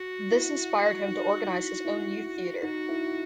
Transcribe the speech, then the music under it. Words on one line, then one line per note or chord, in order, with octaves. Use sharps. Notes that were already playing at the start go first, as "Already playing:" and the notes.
This inspired him to organize his own youth theater.
Already playing: F#4
E4
D#4
E4
E4
D#4 F#4
E4